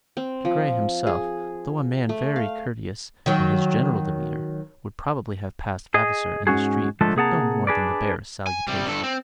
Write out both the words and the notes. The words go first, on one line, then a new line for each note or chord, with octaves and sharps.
Mr. Grey himself, though a man very courteous in his general demeanour, would probably have passed Vavasor in the street with no more than the barest salutation.
C4
F3
G#4
A3
F5
D#3 F#3
G#4 D#5
G#2 F#3 C#4 F#4 G#4
D3 F3 G#3 A3 A4
C3 A#3 G#4 F#5 A5 A#5
D4 G#4 B4 D5
G#5
C3 G3
G2 A4
C4